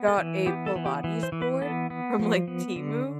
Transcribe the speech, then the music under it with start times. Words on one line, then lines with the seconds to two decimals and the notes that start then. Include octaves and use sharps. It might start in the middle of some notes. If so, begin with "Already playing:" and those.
got a Pilates board from like, Temu,
Already playing: B3
0.08 A4
0.18 E3
0.46 B3 G4
0.66 A4
0.76 E3
0.86 G4
1.04 E3
1.23 C5
1.32 E3
1.42 B4
1.62 B3 A4
1.90 B3
2.19 F3
2.48 B3
2.76 D3